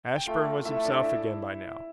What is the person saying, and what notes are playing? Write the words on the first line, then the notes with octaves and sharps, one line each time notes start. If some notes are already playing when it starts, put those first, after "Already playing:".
Ashburn was himself again by now.
G5
A3 F4 F5
A3 E4 E5
D4 D5
E4 E5